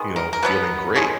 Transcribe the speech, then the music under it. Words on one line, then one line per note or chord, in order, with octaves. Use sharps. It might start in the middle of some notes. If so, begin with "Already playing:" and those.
you know, feeling great
Already playing: D#3 G#3 B3
A#4
A#4
B2 F#3 B3 B4
B2 G#3 C#5